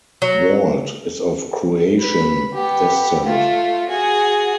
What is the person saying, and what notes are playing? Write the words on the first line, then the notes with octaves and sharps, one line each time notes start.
Walt is of Croatian descent.
F#3
B4 B5
B3 G4
A3 F4
F#4 G#4